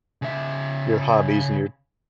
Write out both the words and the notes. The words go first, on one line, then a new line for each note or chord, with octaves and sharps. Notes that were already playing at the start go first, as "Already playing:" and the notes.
your hobbies and your
C#3 E5